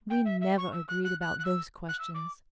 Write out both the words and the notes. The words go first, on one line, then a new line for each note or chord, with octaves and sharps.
We never agreed about those questions.
G5
E5
E5
C#6
E6
F#6
F#6
F#6
F#6
E6
F#6
E6
D6